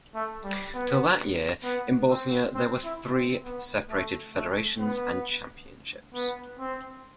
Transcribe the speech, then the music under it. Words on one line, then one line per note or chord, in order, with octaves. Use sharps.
Till that year, in Bosnia there were three separated federations and championships.
A3
G3
B3
B3
C4
C4
E4
C4
B3
A3
A3
B3
B3
C4